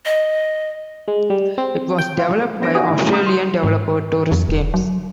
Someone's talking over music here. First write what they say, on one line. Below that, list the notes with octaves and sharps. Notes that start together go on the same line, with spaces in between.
It was developed by Australian developer Torus Games.
D#5
G#3
G3
C4
G5
F4
B3 D4 C5 A#6 D7
D#4 F#4 F#5 G#5 D#6
A1 E4
G#3 A3 C#4 E4 F#4
A#5 D#6 F6 G6
C6
G#2
F2
E1
F#3